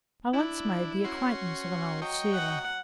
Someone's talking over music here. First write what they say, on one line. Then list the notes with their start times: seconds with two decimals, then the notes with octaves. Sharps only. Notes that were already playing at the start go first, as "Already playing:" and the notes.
I once made the acquaintance of an old sealer.
0.33 D4 E4
1.05 C#4 F#4 C6
2.02 F#3 D#5 G5 C#6
2.34 F#5